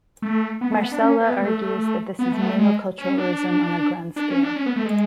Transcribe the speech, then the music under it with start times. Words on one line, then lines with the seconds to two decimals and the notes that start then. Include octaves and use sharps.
Marsella argues that this is monoculturalism on a grand scale.
0.22 A3
0.61 B3
0.72 A3
0.81 B3
0.91 D4
1.00 C#4
1.20 B3
1.41 A3
2.19 B3
2.32 A3
2.42 B3
2.46 A3
2.59 G#3
2.98 C#4
3.18 D4
4.16 D4
4.30 C#4
4.43 D4
4.56 C#4
4.66 B3
4.76 A3
4.85 G#3